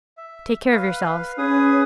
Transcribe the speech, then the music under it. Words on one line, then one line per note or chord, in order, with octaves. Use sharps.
Take care of yourselves.
E5
B4 F5
C#4 G#4 B4 D#6